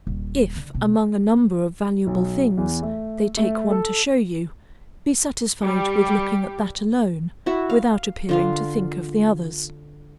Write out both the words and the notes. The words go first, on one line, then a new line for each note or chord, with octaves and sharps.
If, among a number of valuable things, they take one to show you, be satisfied with looking at that alone, without appearing to think of the others.
D#1
D3
B2
B1
E2
A3
A3
A4
G3 G4
E4 F#4 E5
F5
D3 F4 F5